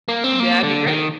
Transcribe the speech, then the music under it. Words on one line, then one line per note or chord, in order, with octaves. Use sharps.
That'd be great.
A#3
C4
A#3
D3
D#3